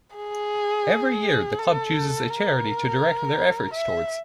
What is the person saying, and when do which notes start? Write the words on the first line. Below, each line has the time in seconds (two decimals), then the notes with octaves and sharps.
Every year the club chooses a charity to direct their efforts towards.
0.16 G#4
1.58 A4
2.30 A#4
3.74 E5